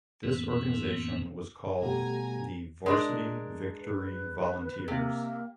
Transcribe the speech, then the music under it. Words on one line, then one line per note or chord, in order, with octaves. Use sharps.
This organization was called the Varsity Victory Volunteers.
F2 A2 E3 A#3 B3 C#4
B2 G3 A3 G4 G#5 A#5
G#3 D4 A#4
B4
C3 A#3